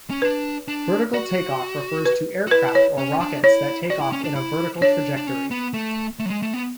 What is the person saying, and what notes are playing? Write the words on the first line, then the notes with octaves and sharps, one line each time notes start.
Vertical takeoff refers to aircraft or rockets that take off in a vertical trajectory.
C#4
D4 B4
D4
F#4 D5
B4
F#4
E4 B4
C#5
C#4
D4
E4 C#5
F#4 D5
E4
C#4
D4
E4
D4 C#5
D4
C#4
B3
A3
A3
F#3
G#3
A3
B3